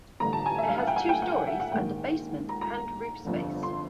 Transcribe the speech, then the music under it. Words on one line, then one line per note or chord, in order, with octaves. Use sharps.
It has two storeys and a basement and roof space.
A1 G2 D3 A#5
A5
G#5
E5
F5
F#5
G5
G#5
G5
F#5
F#5
E5
F#5
A#1 G#2 D#3 G5
A#5
A#5
G1 F2 D3
C6